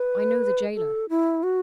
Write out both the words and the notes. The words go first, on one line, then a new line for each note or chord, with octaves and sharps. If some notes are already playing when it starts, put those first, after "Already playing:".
I know the gaoler.
Already playing: B4
A4
E4
F#4